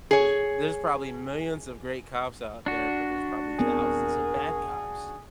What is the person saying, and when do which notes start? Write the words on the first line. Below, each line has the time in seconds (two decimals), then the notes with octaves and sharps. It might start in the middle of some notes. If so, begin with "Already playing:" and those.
there's there's probably millions of great cops out there, but there's probably thousands of bad cops,
0.11 G#4 C#5
2.66 D4 F#4
3.59 D#1 B3 C4 G#4 A#4